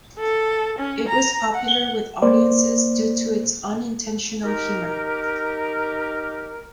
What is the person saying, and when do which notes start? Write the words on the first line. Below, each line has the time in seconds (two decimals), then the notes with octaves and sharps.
It was popular with audiences due to its unintentional humour.
0.19 A4
0.78 C#4
1.08 A#5
1.55 F#5
2.22 A#3 C5 D5
4.43 D#4 G4 A#4